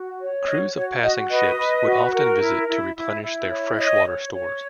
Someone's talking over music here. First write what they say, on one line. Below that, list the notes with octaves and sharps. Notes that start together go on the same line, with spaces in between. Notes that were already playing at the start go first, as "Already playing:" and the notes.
Crews of passing ships would often visit to replenish their fresh water stores.
Already playing: F#4
C#5
F#4 D#5
F#4 C#5
F#4 D#5
B4 D#5
B4
F#4
A#4
E4
E4
E4
E4
C#5
C#5 D#5
C#5
C#5